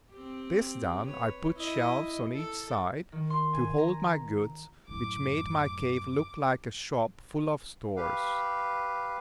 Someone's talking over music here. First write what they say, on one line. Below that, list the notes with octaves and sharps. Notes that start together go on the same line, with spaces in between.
This done, I put shelves on each side, to hold my goods, which made my cave look like a shop full of stores.
C4 G4
B4 C#5
E4 D#5
A4
D#3
C6
G#5
A#5
F#2 A2 D6
G4 B4 F5